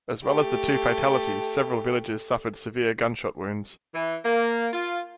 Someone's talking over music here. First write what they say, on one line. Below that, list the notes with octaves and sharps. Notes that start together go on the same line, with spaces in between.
As well as the two fatalities several villagers suffered severe gunshot wounds.
A3 G4
E3
A#3
F4